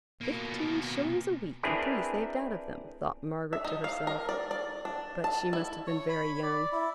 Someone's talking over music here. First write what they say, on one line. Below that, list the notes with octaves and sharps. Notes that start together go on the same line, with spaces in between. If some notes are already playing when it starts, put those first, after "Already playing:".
'Fifteen shillings a week, and three saved out of them!' thought Margaret to herself 'But she must have been very young.
B2 A#3
C4 D4 E4 G#4 A#4 B4
E5
D#4
F5
A#4
D5
D5
D4
A5
E4
C#5
B5
D5
E4